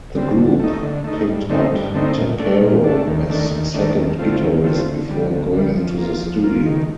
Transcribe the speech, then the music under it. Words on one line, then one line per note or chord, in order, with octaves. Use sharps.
The group picked up Tappero as second guitarist before going into the studio.
D3 G3 C4
D3
A3 D#4
D3
A3 D#4
G2
D3 A3 C4 D#4
G2
D3 A3 C4 D#4
A#2
A3 D4
A#2
A3 D4
D#2
D#3 A3 D4
D#2
D#3 A3 D4
D#2
D3 A3 C4 F4
D#2
D3 A3 C4 F4
D2
D3 G3
D2
D3 G3
F3
A#3 F4
F3
A#3 F4
D#3